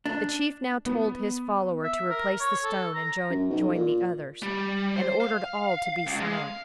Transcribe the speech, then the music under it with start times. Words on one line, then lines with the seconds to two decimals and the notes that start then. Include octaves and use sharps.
The chief now told his follower to replace the stone and join the others, and ordered all to be silent.
0.06 D4
0.86 B3
1.84 E5
2.10 A#4
2.41 C#5
2.64 A4
2.95 A#5
3.30 F#2
3.50 B1
3.74 A#2
4.43 G3
4.96 C5
5.20 F5
6.07 C#2
6.20 G#3
6.34 F5